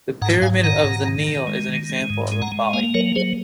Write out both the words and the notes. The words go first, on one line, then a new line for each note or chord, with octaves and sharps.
The Pyramid of The Neale is an example of a folly.
G#2 F#5 A#5
G#2 F5 G#5
D#3 F#5 A#5
G#2
D#3
D#3
G#3
D#3
G#3
G#2
G#3
F#5 A#5
G#3
A#3 F5 G#5
F#3 A#4 C#5
F#3 G#4 C5